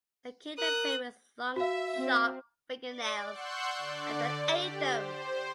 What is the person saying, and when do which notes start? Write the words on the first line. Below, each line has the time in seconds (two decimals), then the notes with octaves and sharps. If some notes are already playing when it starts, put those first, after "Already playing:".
They killed their prey with long, sharp fingernails and then ate them.
0.58 A#4 D#6 F#6
1.56 F#4 E5 F5
1.96 C4
2.87 D5
3.29 F#5 C6 C#6 E6 F#6 G6
3.77 D3 D5
4.44 G4
4.84 C5